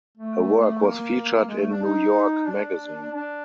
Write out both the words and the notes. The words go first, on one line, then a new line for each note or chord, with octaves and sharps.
Her work was featured in "New York" magazine.
A3
A#3
G#3
A3
D4
D#4
D4
D4